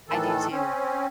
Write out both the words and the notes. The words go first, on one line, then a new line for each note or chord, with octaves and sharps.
I do too.
A2 D#3 E3 A4
C4 C#4